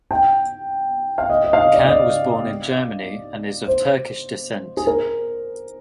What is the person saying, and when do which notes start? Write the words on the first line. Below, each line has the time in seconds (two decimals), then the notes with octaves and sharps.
Can was born in Germany and is of Turkish descent.
0.11 G5
1.18 F5
1.30 D#5
1.44 D#5
1.53 F5
1.60 D#5
1.74 D5
1.85 D#5
1.89 D5
3.68 C5
4.77 G#4
4.87 A#4